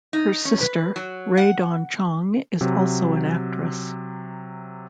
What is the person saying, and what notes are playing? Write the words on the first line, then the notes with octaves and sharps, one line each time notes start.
Her sister Rae Dawn Chong is also an actress.
D#4
C#4
B4
F#3
F#5
C3 F#3